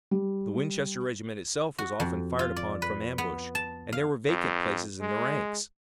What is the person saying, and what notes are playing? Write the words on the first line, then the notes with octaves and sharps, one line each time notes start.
The Winchester regiment itself was often fired upon from ambush, and there were vacant places in the ranks.
G3
F#4
F2
F4
D5
B4
B3
A5
F5
F2
G#3